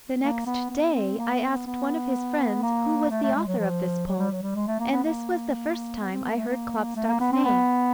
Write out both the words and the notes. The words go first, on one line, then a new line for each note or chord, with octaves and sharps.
The next day I asked one of his friends who was the author of this poem, and this was the first time I heard Klopstock's name.
A#3
B3
B3
C4
A#3
B3
B3
B3
A#3
A3
A3
G#3
F#3
F3
F#3
G3
F#3
G3
G#3
A3
A#3
B3
A#3
B3
C4
B3
A#3
A3
A#3
A3
A#3
B3
C4
B3